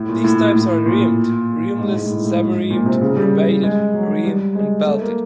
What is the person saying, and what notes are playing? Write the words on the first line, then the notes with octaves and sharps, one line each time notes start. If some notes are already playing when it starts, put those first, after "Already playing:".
These types are rimmed, rimless, semi-rimmed, rebated rim, and belted.
Already playing: A2
A#2
A2
A2
A#2
G#2
A2
G#2
A2
G#2
A2
G#2
A#2
C3
C#3
G3
G#3
F#3
G3
G#3
A3
A#3